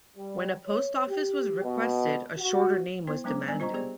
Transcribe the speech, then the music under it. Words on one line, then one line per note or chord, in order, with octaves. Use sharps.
When a post office was requested a shorter name was demanded.
G3
C#5
G4
B2
F#4
B3 E4 C5
F#3 G#3 B3 D4 C5 D6
G3 B3 D4 D5 G#5
F4 C5 D#5 A#5 C#6
B3 G4 G#4 C5 D5